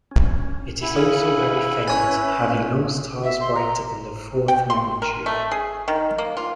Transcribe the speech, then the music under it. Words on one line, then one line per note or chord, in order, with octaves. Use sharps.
It is also very faint, having no stars brighter than the fourth magnitude.
C#4
E4 F#5 G#5 B5
C#3
C#4 B4 C#5 G#5
E5
C6
A#5
G5
C6
A#4
A3
G#4
D#3
A#3
F4